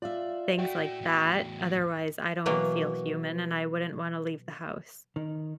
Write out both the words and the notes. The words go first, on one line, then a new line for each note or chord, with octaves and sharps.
things like that. Otherwise, I don't feel human, and I wouldn't wanna leave the house.
F4 D5 E5 F5
A3 E4 F#4 G5
E2 A2
B2 E3 F#3 A#3
D#3